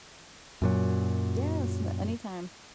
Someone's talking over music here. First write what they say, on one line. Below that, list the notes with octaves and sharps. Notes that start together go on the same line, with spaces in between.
Yes. Na anytime.
F#2 A#2 F#3